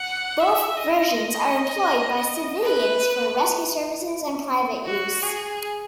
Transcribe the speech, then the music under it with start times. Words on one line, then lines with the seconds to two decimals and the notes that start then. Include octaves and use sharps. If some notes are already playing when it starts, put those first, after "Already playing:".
Both versions are employed by civilians for rescue services and private use.
Already playing: F#5
0.40 E5
0.77 D#5
2.63 B4
4.86 F#4
5.23 G#4